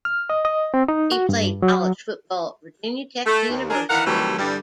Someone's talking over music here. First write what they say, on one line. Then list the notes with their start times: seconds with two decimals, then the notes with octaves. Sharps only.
He played college football at Virginia Tech University.
0.05 F6
0.30 D#5
0.45 D#5
0.74 C4
0.88 D#4
1.12 F#4
1.29 G2
1.62 F#3
3.26 A3
3.50 D#2
3.70 D4 G#4 A#4
3.89 D#3 E3 A#4 F5 F#5
4.07 C3 D#3 E3 F#3 G3 A3
4.38 G2 D3 E3 G3